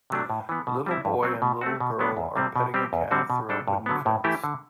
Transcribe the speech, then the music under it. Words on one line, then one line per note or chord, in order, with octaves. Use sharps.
A little boy and little girl are petting a calf through a wooden fence.
C3 F#3 A3 D4
A2
E3 B3
B2
G3 C4 E4
G2
F#3 C4
B2
A3 C4 F#4
B2
F#3 B3 D4
E2
C3 G3 C4
B2
G3 C4 G4
E2
D3 G3 C4 F#4
B2
G3 D4 A4
G2
D3 F#3 B3
A2
E3 A3 E4 G4
D3